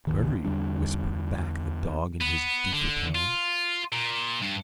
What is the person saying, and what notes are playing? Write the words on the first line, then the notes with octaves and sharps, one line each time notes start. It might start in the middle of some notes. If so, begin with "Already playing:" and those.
"Very," whispered back the dog in his deeper tone.
D#1 G#1 D#2 D#3
E2 D3 G3 D4
B3
D3
F4
A#2
G2